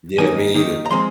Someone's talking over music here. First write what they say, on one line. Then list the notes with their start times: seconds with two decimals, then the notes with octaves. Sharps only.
Yeah, me either.
0.18 D#3 A#3 D#4 G#5
0.54 D#3 A#3 D#4
0.86 A#5
0.91 F3 G#3 C4 C6